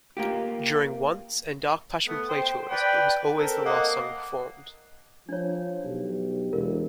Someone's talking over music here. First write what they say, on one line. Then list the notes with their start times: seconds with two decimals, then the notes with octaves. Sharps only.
During Once and Dark Passion Play tours it was always the last song performed.
0.17 A#3 F4 G4
2.07 A3 B3
2.28 C5 G5
2.70 B4 D5 G5
3.36 C4 A4 A#4
3.65 A#3 D#5 F#5
5.29 F3 D4 C#5
5.84 B1 G4
6.53 E1 A#4